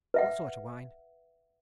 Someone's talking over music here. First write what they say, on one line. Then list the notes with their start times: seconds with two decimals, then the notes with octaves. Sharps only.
"What sort of wine?"
0.14 B4 E5 F#5